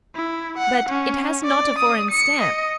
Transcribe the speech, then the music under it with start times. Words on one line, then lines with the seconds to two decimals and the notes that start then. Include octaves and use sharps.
"But it has not a foreign stamp."
0.15 E4
0.58 F#5
0.89 C#4
1.46 D5
1.79 D#6
2.11 C#7
2.42 D#5